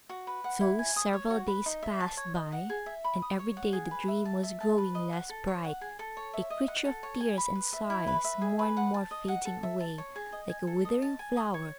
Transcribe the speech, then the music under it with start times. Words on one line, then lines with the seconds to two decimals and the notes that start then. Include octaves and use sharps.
So several days passed by, and every day the dream was growing less bright, a creature of tears and sighs, more and more fading away, like a withering flower.
0.09 F#4
0.27 B4
0.44 F#5
0.61 E4
0.79 G#5
0.96 D#6
1.13 C#5
1.30 F#4
1.47 B4
1.66 D#4
1.83 E5
2.00 A5
2.17 C#5
2.35 D#5
2.52 F#5
2.70 G#4
2.86 E5
3.04 B5
3.22 D#6
3.39 C#5
3.57 F#5
3.73 G#4
3.91 B4
4.08 E5
4.25 A5
4.43 E5
4.60 A5
4.78 B4
4.95 D#5
5.13 F#5
5.30 A4
5.47 C#5
5.64 F#5
5.81 G#4
5.99 A4
6.17 C#5
6.34 E5
6.50 D#5
6.68 F#5
6.85 A4
7.03 C#5
7.20 G#5
7.38 B5
7.55 B4
7.73 E5
7.90 E4
8.07 B4
8.24 E5
8.41 G#4
8.59 B4
8.77 F#5
8.94 A5
9.11 D#5
9.28 F#5
9.45 A4
9.63 E5
9.80 A5
9.98 C#5
10.16 G#4
10.33 D#5
10.49 G#5
10.67 A4
10.85 D#5
11.02 A5
11.19 G#5
11.37 D#6
11.54 C#5